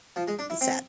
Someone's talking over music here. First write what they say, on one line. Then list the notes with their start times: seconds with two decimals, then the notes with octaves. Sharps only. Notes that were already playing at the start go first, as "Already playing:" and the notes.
It's sad.
0.16 F3
0.28 G#3
0.39 D4
0.50 E4
0.61 C4